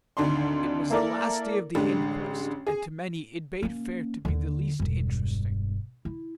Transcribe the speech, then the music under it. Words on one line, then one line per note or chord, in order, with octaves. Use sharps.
It was the last day of the inquest, and to many it bade fair to be the least interesting.
G#1 D2 D3 D4 D#4 C6
A#3 E4 A4 A#4 D5
A1 D3 G3 G#3
G#4
A#3 C#4
D#2 D3
E1 G2
E4